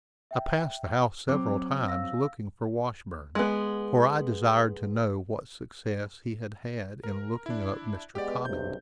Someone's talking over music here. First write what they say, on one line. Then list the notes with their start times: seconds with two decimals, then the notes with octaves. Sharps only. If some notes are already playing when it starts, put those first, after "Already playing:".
I passed the house several times, looking for Washburn, for I desired to know what success he had had in looking up Mr. Cobbington.
0.31 E5 G5
1.29 F#3 C4 D6
1.88 F5 E6 A#6
3.35 G#3 B3
7.03 A#4
7.46 D4 E4
8.15 G#3 B3 G4 D5
8.45 B1 G2 C3 G6